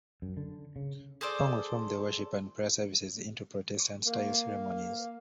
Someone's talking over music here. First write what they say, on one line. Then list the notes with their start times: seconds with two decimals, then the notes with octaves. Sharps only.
Hong reformed the worship and prayer services into Protestant-style ceremonies.
0.22 F#2
0.37 D3
0.76 C#3
1.21 G#4 A4 C5 D5
4.07 A#3 F5